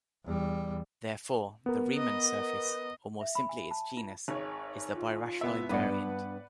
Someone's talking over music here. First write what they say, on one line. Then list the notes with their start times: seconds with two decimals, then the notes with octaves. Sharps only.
Therefore, the Riemann surface, or more simply its genus is a birational invariant.
0.25 E2 G3
1.66 B3 A#4
1.97 D#5
3.21 E5
3.35 B5
3.49 G#5
3.71 A5
3.97 F4
4.28 G#1 C#5
4.95 F4
5.41 C2 B3 E5
5.69 G2 B3 D4 B4 D5 F#5